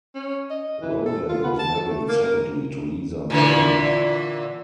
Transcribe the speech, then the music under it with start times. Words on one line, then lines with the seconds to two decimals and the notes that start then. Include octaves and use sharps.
Rowland was married secondly to Lisa Marie.
0.15 C#4
0.50 D#5
0.81 E3
1.06 A4
1.29 F4
1.44 B3
1.59 A5
1.75 A4
1.89 A3
2.08 A#3
2.24 A#4
3.30 A#2 D3 E3